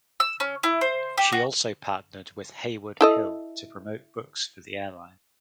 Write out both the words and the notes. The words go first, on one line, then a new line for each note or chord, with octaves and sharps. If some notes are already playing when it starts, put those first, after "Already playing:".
She also partnered with Heywood Hill to provide books for the airline.
E6
C#4
E4
C5
G4
F#4
E4 A4 D#5